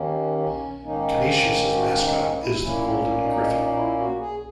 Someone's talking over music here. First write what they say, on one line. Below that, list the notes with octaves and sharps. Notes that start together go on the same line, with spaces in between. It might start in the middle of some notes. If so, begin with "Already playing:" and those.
Canisius' mascot is the Golden Griffin.
Already playing: D#2 D#3 A#3 C#4
C#4
G#2 D#3 A#3 C#4 D#4
F#4
D#4
D#4
C#4
E4
A#2 A#3 C#4 E4
D#4
D#4
D#4
E4
F#4
G#4